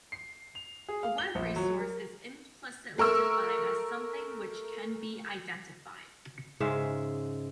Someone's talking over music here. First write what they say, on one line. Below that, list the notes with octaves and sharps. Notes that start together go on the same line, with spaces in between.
A web resource is implicitly defined as something which can be identified.
C7
F7
G#4
F5
G7
A#1
F#3
A#4
A3 A#4 C#6 E6
G#2 C#3 G#3 E5